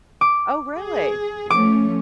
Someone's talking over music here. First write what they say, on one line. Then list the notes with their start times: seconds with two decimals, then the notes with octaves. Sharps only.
Oh, really?
0.21 D6
0.80 G#4
1.50 F3 A3 C#4 D6